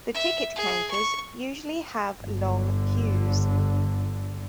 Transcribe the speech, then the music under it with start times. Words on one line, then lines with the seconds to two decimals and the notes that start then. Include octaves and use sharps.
The ticket counters usually have long queues.
0.14 E5
0.56 G#4
0.91 C#6
2.22 G1 D3